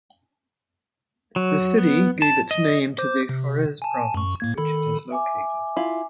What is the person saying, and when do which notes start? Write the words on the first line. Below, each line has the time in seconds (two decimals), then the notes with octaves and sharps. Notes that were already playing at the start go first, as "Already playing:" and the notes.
The city gave its name to the Forez province in which it is located.
1.36 F#3
1.78 B3
2.22 A5
2.51 D#5
2.98 C5 D6 G6
3.29 C3
3.82 G#5 A5
4.14 F#2 C#6
4.40 A2 A#3 G#6
4.58 D#3 A4 B5
5.10 E5 G#5 D6
5.77 E4 F4